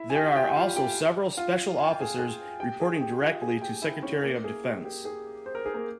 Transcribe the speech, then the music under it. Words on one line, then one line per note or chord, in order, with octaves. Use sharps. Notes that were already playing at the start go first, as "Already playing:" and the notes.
There are also several special officers reporting directly to Secretary of Defense.
Already playing: E4 E5
G#5
G4 G5
G4 G5
G5
F4 F5
G4 G5
F4 F5
G#5
G5
G#4 G#5
G#4 G#5
G4 G5
G#4 G#5
G4 G5
F4 F5
G#4 G#5
G4 G5
E4 E5
C#4 C#5
A#3 A#4
G#4
G4
G4
G#4
C5
A#4
G#4
A#3 A#4